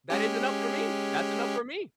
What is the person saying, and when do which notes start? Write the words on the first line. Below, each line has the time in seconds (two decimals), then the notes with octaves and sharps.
That is enough for me That's enough for me.
0.10 G#3 C#4 G4